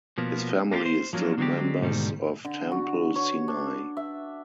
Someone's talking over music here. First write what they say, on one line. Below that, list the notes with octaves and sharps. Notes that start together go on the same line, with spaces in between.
His family is still members of Temple Sinai.
B2 F3 A#3 B3
A#3 B3 E4 F4 G4
C5
F3 F#3 A#3 C#4 D4
D3 F#3 G#3 C4 G4
D2 G#2 B2 D#3 G3
D3
F#4
C#5
D4
E5